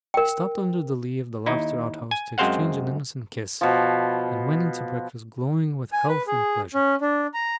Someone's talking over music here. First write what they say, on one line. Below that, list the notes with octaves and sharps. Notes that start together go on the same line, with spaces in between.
We stopped under the lee of the lobster-outhouse to exchange an innocent kiss, and went in to breakfast glowing with health and pleasure.
A#4 G5
D#2 D#4 E4
G#5
F#2 G#3 C4 C5 F5 F#5
B2 F3
G#5
B4
G#4
C#4
D4
A#5